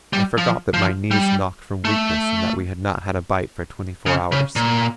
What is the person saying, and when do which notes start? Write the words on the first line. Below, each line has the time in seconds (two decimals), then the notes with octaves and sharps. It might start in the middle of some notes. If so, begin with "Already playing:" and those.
I forgot that my knees knocked from weakness and that we had not had a bite for twenty-four hours.
0.13 G3
0.38 F3
0.74 F3
1.11 G3
1.85 A3
4.06 C#3
4.32 C#3
4.56 A#2